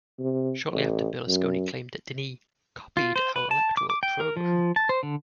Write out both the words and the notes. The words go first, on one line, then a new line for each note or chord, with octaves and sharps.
Shortly after Berlusconi claimed that Dini "copied our electoral programme".
C3
A1
F#2
F4
C5
B4
A5
D6
D6
G5
A#4
F3
A5
C5
D3